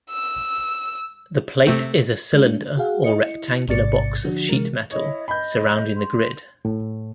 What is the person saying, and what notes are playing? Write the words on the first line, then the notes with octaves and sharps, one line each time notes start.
The plate is a cylinder or rectangular box of sheet metal surrounding the grid.
E6
C3 A3 C4
G#3 D4
F#4 G#4 F5 F#5
E4 D#5 C#7
A1 G#2 C3 D5 A6 C#7
D3 F3 D4 F#4
C3 E3 G#3 A#4
E4 C#5 D#5 D#6
D#5 B5 G6
C6
A2